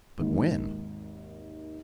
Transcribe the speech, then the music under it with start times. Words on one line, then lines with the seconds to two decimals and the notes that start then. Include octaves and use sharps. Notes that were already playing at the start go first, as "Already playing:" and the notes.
"But when?"
0.19 G#1 D#2